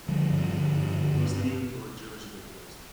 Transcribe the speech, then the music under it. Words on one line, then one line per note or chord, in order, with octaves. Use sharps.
It was named for George the First.
D3 F3 G3
G2
D3
G2
D3
G2